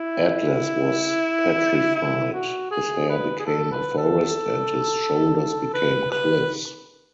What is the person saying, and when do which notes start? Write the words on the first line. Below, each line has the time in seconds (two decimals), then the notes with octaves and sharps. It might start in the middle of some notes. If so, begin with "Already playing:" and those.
Atlas was petrified; his hair became a forest and his shoulders became cliffs.
Already playing: E4
1.95 E4
2.33 F#4
2.71 G#4
3.09 B4
3.39 G#4
3.46 A4
3.71 B4
3.98 A4
5.74 B4
6.12 B4